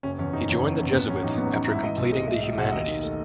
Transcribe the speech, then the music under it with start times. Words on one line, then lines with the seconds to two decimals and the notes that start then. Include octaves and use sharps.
He joined the Jesuits after completing the 'Humanities'.
0.03 F#1 C#4
0.19 E2 C#4
0.33 F#1 D#4
0.49 E2 C#4
0.63 F#1
0.78 E2
0.93 A1 B3
1.08 F#3 C#4
1.23 A1 D#4
1.38 F#3 B3
1.53 F#3 D#4
1.68 G#2 E4
1.83 E3 D#5
1.97 B1
2.12 G#3 D#5
2.28 G#3 E5
2.43 A2 E5
2.57 B1 F#5
2.72 D#2 D#5
2.88 D#3
3.03 A3